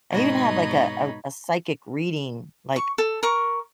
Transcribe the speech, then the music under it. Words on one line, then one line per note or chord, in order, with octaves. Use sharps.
I even had, like, a a r a psychic reading, like,
G#2 B2 D#4 C#5 D#5 B5
C#6
A4
A#4 C#6